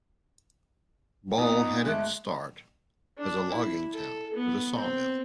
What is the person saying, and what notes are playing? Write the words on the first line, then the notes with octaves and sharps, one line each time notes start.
Ball had its start as a logging town with a sawmill.
A#2 B3 D#4
G1 G#3 A3 F#6
D4
E4
A4
B3
C4